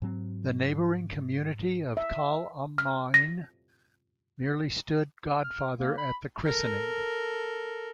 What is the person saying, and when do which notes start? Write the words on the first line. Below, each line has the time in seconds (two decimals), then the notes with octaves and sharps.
The neighbouring community of Kahl am Main merely stood godfather at the christening.
0.02 G#2 F#3 C4
1.97 E5
2.78 F6
3.14 A#6
5.44 F6
5.76 A#3
5.98 B5
6.43 A4 A#4